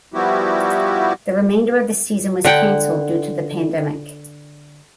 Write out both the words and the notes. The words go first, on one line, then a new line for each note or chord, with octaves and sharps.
The remainder of the season was cancelled due to the pandemic.
F3 G3 B3 E4 F#4 G4
D3 F#5 G5